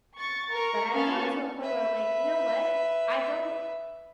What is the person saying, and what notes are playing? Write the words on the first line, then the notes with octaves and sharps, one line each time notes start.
but I've gotten to a point where I'm like, "You know what? I don't
C#6 A6
A#4 C#6
A#3 B3 C#4 F5 A5 C#6
B4 E5